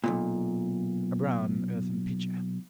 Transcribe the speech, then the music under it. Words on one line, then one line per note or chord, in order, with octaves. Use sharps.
A brown earthen pitcher!
B1 G2 A#2